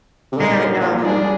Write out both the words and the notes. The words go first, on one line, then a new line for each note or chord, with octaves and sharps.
and, um,
C3
A#2 D3 G3 C4 D#4 A#4
A#2
A#2
G#2 G3 D4 G#4 D5